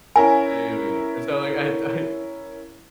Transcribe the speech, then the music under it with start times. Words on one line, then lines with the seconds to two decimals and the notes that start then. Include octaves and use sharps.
Maybe. And so like, I d I
0.16 C#4 E4 A#4 G#5